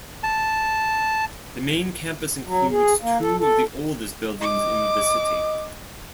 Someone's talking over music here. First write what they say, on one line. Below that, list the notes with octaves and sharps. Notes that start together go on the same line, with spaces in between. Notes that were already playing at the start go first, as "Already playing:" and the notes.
The main campus includes two of the oldest buildings in the city.
A5
F#3
G#4
A#3
A4
A4
D#5 D6